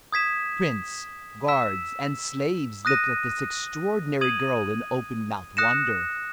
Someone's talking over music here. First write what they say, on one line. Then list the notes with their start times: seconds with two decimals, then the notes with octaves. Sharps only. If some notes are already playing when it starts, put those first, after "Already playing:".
Prince, guards, and slaves looked at this extraordinary girl in open-mouthed wonder.
0.12 D#6 G#6 B6 E7
1.48 E6 B6 E7
2.85 D#6 F#6 A#6 D#7
4.21 D#6 G#6 D#7 F#7
5.57 D#6 F#6 A#6 C#7 E7